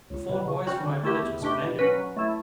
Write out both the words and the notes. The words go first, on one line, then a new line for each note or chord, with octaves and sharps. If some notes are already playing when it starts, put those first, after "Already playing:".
The four boys from my village were splendid.
C#2
B2 F#3
C#3
G3 C#4 F#4
D3
A3 E4 G4
E2
B2 A3 D4 G4
B2
F#3 C#4 F#4 B4
F#3
A3 E4